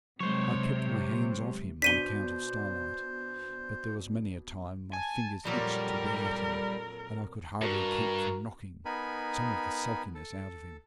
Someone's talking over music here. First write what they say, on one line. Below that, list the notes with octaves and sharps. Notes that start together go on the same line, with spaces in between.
I kept my hands off him on account of Starlight, but there was many a time my fingers itched to be at him, and I could hardly keep from knocking some of the sulkiness out of him.
C3 F#3 G#3 C5 C#5
B2 D4 C5 B6 D#7 G7
G#5 A5
F2 A#2 F#3 G3 A4 A#4
G2 F#4 A#4
B3 D#4 A#4 G#5 B5
A4